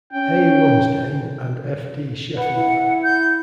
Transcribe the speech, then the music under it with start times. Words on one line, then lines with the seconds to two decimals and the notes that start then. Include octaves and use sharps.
A. Lumsdaine, and F. D. Sheffield.
0.12 C#4 G5
2.37 B4 F#5
2.55 E4
3.03 G6